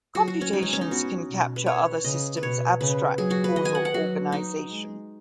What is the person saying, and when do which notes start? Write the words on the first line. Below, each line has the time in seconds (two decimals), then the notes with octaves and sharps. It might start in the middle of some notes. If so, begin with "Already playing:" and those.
Computations can capture other systems' abstract causal organization.
0.15 F#3 F#4
0.28 F#4
0.41 C#4
0.53 G#3 D#4
0.62 C#4
0.73 C#4
0.81 D#4
0.91 B3 F#4
1.29 B2
1.56 B4
1.66 C#5
2.04 C#3 D#5
2.37 B4
2.43 B2 C#5
2.80 C#3 B4
3.18 F#3 G#4
3.31 F#4
3.44 B4
3.56 D#3 D#5
3.65 G#5
3.75 F#5
3.85 F#5
3.94 F#3 F#4
4.32 D#4
4.69 G#3